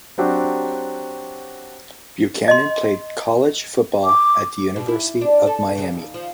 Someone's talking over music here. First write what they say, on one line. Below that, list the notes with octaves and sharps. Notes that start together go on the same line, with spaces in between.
Buchanon played college football at the University of Miami.
F#3 C4 D4 F#4 G4
D#5 C6
D6
B2
E4
D4
A4
C#3
D#2
F3